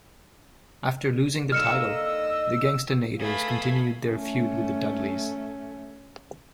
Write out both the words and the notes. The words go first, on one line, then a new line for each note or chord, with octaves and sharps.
After losing the title, The Gangstanators continued their feud with the Dudleys.
D3 A#3 D#4 D#5 E6 F6 C#7 E7
A3 G#4 A4 B4 E5 F5 B5
A3 C#4